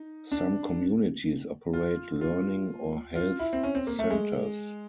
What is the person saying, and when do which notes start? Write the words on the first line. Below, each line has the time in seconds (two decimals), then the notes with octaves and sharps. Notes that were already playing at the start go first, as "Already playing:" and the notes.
Some communities operate learning or health centers.
Already playing: D#4
0.32 D4
1.73 F4
2.21 F4
3.15 F4
3.39 E4
3.53 C4
3.63 C#4
3.75 C4
3.87 A#3
3.99 A3
4.10 G#3